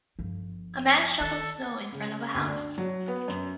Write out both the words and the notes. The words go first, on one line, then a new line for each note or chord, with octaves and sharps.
A man shovels snow in front of a house.
G1 F3
D#3 A4
C#3
D2
D4
F#3
B3
F#2